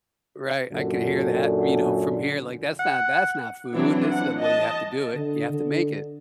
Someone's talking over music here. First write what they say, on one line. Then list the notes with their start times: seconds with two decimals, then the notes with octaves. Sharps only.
Right, I could hear that, you know, from here, like, that's not that's not food. This is the way you have to do it. You have to make it.
0.72 F#2 A#2 D3
2.79 F#5
3.74 E3 F#3 C4 D4 E4
4.09 F#5
4.40 D#5 A5
5.15 D3
5.50 D3